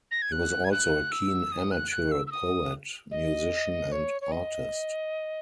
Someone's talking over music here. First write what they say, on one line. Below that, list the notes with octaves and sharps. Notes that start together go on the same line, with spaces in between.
He was also a keen amateur poet, musician and artist.
A#6
G#6
F#6
G#6
F#6
E6
D#6
F#6
F#6
E6
E6
D#6
D#5
C#5
C#5
D#5